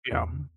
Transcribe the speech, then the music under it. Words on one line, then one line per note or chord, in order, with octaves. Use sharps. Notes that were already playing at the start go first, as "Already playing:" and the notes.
yeah, um
E2